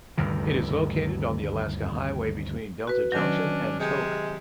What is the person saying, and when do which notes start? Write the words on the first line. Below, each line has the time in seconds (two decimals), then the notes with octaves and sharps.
It is located on the Alaska Highway between Delta Junction and Tok.
0.17 D2 G2 C3 D#3
2.87 F#4 B4
3.12 D#3 F#3 C#4 D4
3.78 C3 G#3